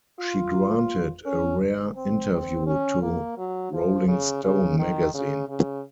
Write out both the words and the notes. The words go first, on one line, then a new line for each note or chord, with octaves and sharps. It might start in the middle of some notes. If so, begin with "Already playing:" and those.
She granted a rare interview to "Rolling Stone" magazine.
F4
C#4
C4
C4
C#4
A#3
F#3
F3
C#3
C#3
D#3
C#3
C#3